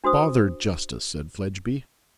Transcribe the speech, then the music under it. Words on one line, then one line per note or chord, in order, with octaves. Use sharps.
'Bother justice!' said Fledgeby.
D4 F#4 C5 D#6